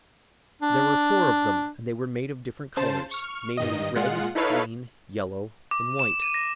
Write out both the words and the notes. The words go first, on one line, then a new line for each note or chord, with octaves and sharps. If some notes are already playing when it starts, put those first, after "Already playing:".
There were four of them, and they were made of different colors, namely, red, green, yellow, and white.
D4
C#3 C5 A5 E7
C#6 F6
G2 D#3 D#5
A#2 G#3 F4 F#5
D#4 E4 A4 B4 C#5 F5
D6
E7
D#7
A#6